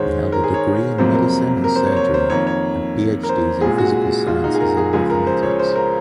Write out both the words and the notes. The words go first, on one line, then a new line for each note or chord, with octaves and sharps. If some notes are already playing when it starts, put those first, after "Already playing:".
He held a degree in Medicine and Surgery and PhDs in Physical Sciences and Mathematics.
Already playing: G#2 D#3 G#3 C5 C#5
A#4
G#4
C#5
F2 C3 F#3 A#3 C5
A#4
A#4
C5
C#5
C5
C#5
C5
F2 D#3 A#3 C#5
C#5
A#4
C5
C2 A#2 G#3 G#4
F#4
F4
D#4
G#4
A#4
G#4
C#2 C#3 F3 G#3 G#4
A#4
C5
C#5
C5
A#4